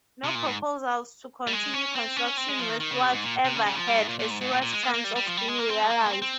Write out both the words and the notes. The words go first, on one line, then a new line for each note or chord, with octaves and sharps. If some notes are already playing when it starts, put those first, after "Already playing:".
No proposals to continue construction westwards ever had a serious chance of being realised.
C3
A#2
G#2
G3
G#3
C#4
C4
C#4
C4
G#3
F3
D#3
D#3
C#3
C3
G#2
A#2
C3
C#3
C#3
G3
F3
G3
G#2
A#2
A#2
G#2
G#2
A#2
A#2
G#3
A#3
A#3
G3
G3
F3
G3
G#3
A#3
C4
G#3
A#3
G#3
A#3
C4
C4